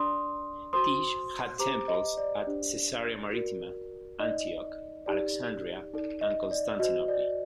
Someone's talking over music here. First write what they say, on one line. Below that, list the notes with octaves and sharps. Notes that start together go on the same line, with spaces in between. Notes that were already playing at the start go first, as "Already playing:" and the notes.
Tyche had temples at Caesarea Maritima, Antioch, Alexandria and Constantinople.
Already playing: D4 A4 D5 C6 D#6
F#4 A4 C5 C6 D#6
G4 C5 A#5 D6
D#5
D5
D4 G4 C5
F#4 A#4 D5
D#4 A4 D5 D#5
D#4 G4 D5
D#4 A4 D5
D#5
D5
F#4 C5 D#5
D5